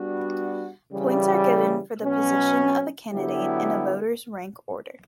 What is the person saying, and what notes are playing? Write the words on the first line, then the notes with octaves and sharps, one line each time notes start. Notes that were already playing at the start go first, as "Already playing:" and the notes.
Points are given for the position of a candidate in a voter's rank order.
Already playing: G3 B3 D4 F#4
C#3 E3 G3
B2 F#3 C#4
D3 F#3 B3 E4 G4